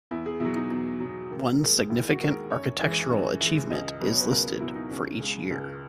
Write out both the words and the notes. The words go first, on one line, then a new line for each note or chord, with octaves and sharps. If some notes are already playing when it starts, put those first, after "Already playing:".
One significant architectural achievement is listed for each year.
E2 E4
G#4
B2 F#3 E4
D#4
E2 D#4
B2 F#3
D#2
D#3 G#3
D#2 E4
F#4
D#3 G#3
A#4
F#2 C#5
E3 G#3
F#2
E3 G#3
C#2 D#5
B2 F#3 B4
C#5
B4
C#2 A#4
B2 F#3 E4
D#4
C#2 C#4
C#3 G#3
C#2